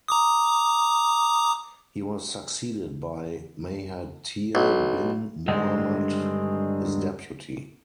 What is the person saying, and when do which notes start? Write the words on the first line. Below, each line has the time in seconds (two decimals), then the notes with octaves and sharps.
He was succeeded by Mahathir bin Mohamad, his deputy.
0.08 A#5 D6 D#6
4.55 B1
5.48 G2 D3 D#3 G#3 C4